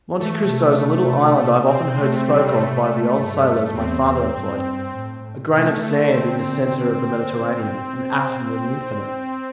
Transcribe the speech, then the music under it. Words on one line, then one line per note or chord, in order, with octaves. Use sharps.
"Monte Cristo is a little island I have often heard spoken of by the old sailors my father employed--a grain of sand in the centre of the Mediterranean, an atom in the infinite."
E3 A3
C3
A3
C4
C3 A3
G3
A3
G2
E2 C4
E2
G2
A2
C3 A3
D3 A3
C4